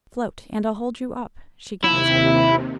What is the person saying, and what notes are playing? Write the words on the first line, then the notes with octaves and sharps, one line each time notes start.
"Float, and I'll hold you up," she gasped.
D#2 C3 E4